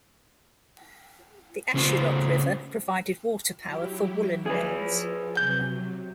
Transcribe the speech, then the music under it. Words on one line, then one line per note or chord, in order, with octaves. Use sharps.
The Ashuelot River provided water power for woolen mills.
C#3 A3 C#4 F4 C5
F#3 E4 G4
F3 G#4 B4
C3 F#3 G6